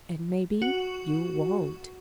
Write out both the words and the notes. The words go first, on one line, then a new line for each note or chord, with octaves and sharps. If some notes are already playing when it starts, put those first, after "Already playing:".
"And maybe you won't."
F#4